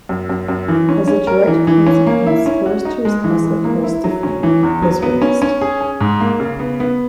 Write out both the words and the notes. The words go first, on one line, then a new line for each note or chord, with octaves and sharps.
As a direct consequence Forrester's house at Corstorphine was razed.
F#2
F#2
F#2
E3
C#4
C#4
A#4
E3
E3
C#4
A#3
E4
C#4
F#4
D#4
G#3
E3
G#3
A#3
E4
F#3
C#4
E3
E2
F#3
B3
C#4
C#4
G#4
G#4
G#2
A#3
C#3
B3
B3